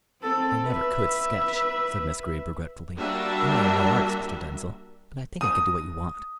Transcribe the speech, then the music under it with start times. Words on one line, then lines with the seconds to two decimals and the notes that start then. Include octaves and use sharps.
"I never could sketch," said Miss Greeb regretfully, "and I am no artist, Mr. Denzil, but I think I can do what you want."
0.21 C4 A4
0.65 B4 E5
2.97 G3 A#3 D4 F#4 A#4 E5
5.41 D#6